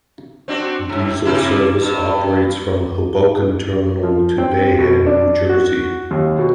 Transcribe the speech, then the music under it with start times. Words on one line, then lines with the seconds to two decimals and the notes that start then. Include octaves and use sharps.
Diesel service operates from Hoboken Terminal to Bay Head, New Jersey.
0.48 C4 D4 F#4
0.89 G#2
1.25 C3 A#3 E4
1.81 G2
4.03 F3
4.38 C4
4.79 B2
5.06 D4
5.49 F#4
6.11 D#2
6.39 B2